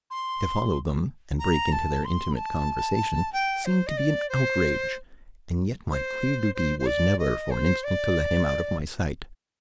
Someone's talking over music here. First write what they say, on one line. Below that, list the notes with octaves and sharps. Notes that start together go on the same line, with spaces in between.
To follow them and break into their intimate conversation seemed to be an outrage, and yet my clear duty was never for an instant to let him out of my sight.
C6
A#5
A5
C6
A5
G5
C5
D#5
D5
C5
C5
C5
C5
D5
D#5
C5
D5